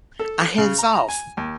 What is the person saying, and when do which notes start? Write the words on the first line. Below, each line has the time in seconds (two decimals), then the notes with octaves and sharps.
A Hands Off!
0.19 A4
0.58 C#3
0.78 A#5
0.95 A#5
1.09 G#5
1.37 D#2